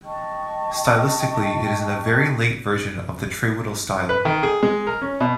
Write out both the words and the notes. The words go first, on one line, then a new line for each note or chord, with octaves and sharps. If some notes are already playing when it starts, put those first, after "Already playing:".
Stylistically it is "in a very late version of the Trewhiddle style".
D#5 G5 A5 C#6
B4
D#3
G#4
G#3
A#4
C#4
B2